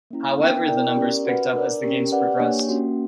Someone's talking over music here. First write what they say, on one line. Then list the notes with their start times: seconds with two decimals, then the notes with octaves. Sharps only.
However the numbers picked up as the Games progressed.
0.11 A#3 C#4 E4
0.39 B3 D4 A#4 E5 G5
0.68 B3 E4 A#4 D5 G5
0.96 C#4 G4 A#4 D5
1.25 F#4 B4 F#5
1.54 D4 A#4 D5
1.83 C#4 G4 A#4
2.12 G4 B4 D5 F#5
2.40 A#3 D4 G4 C#5
2.69 A#3 C#4 F#4